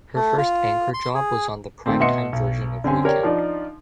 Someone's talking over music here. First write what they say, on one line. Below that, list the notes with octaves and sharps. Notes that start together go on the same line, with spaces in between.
Her first anchor job was on the prime-time version of "Weekend".
A3
F4
C6
G#4
D#3 A3 C4
B2 D#5 E5 F#5 C6 C#7
B1
D3 C4 C#4 G#5
G4 A#4 C#5 D5 G5
F3 D4 D#4 D5